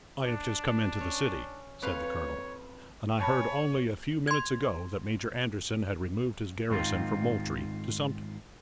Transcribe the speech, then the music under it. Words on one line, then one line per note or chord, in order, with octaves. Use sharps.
"I have just come into the city," said the colonel, "and I heard only a few minutes ago that Major Anderson had removed his garrison from Moultrie to Sumter."
D4
C#4
F2 B4 C#5 F5
C#5 G#5 A5 B5
C6 G#6
G#2 D#3 C4 F4